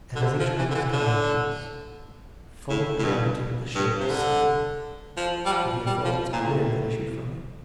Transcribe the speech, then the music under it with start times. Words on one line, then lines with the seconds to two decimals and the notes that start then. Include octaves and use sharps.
And as each one was coming unto us, Full of beatitude the shade was seen, By the effulgence clear that issued from it.
0.15 D3
0.22 C3
0.39 F3
0.58 E3
0.70 D3
0.75 E3
0.93 D3
2.69 A2
2.98 A2
3.04 G2
3.75 G2
4.00 C3
4.10 D3
5.17 F3
5.45 G3
5.52 F3
5.87 G3
6.04 F3
6.33 A#2
6.40 A2